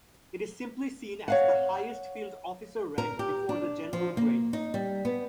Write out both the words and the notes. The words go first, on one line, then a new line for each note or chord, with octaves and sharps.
It is simply seen as the highest field officer rank before the general grades.
C#5 F5 F#5
A#4
G4
D4
F3
A#3
D#4
G3
B3